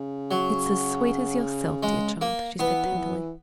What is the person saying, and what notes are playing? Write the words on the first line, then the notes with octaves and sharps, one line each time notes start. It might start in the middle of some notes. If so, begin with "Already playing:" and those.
"It's as sweet as yourself, dear child," she said tenderly.
Already playing: C#3
F#3
G#3
A#3
E3 B3
F#3
E3